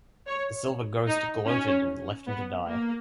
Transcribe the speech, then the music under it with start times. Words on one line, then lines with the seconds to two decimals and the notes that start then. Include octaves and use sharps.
The Silver Ghost gloated and left him to die.
0.27 C#5
1.07 D#4
1.46 C#4
2.27 B3
2.67 A#3